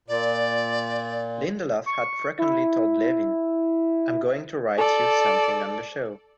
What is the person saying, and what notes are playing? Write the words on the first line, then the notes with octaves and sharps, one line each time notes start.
Lindelof had frequently told Levine, "I'm going to write you something on the show".
A#2 D5
C#6
E4
A4 D5